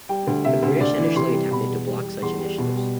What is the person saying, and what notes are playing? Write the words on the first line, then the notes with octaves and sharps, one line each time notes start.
The British initially attempted to block such initiatives.
G3 G5
D2
C3 E5
D2
D2 D5
E3
C3 C6
G3
B2 B5
E2
G3
G3
E2 C6
G3
B2
G3